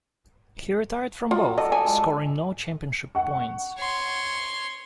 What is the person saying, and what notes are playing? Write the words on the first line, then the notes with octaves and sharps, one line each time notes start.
He retired from both, scoring no championship points.
F#3 F4
A4 D5 D#5
G#5
G#3 F4
F#5 C#6
C#5 C6